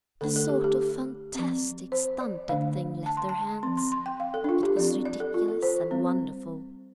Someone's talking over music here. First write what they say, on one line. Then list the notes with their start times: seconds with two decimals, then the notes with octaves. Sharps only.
A sort of fantastic stunted thing left their hands; it was ridiculous and wonderful.
0.21 D3 A3 D4 A4
0.36 A4
0.49 G4
0.64 G4
1.35 F3 C4
1.92 C5
2.20 D5
2.49 D3 A3 D4 F5
3.06 A5
3.17 C6
3.29 A5
3.63 F3 C4 C6
3.77 C6
3.92 C6
4.06 G5
4.20 F5
4.34 A4
4.44 D4
4.49 F4
4.63 G4
4.77 F3 C4 D5
5.05 D5
5.20 A4
5.34 F4
5.48 A4
5.62 C5
5.91 G3 C4